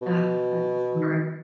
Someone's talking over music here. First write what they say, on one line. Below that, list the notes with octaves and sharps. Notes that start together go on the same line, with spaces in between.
Ah, that's hard.
B2